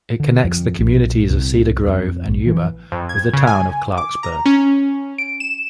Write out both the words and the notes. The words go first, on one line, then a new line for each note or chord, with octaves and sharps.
It connects the communities of Cedar Grove and Yuma with the town of Clarksburg.
D3
F2
A#1
C2
F2
A#1
E3
F2
G#6
C#3
G#5
D6
A#5
C#4
D7
E7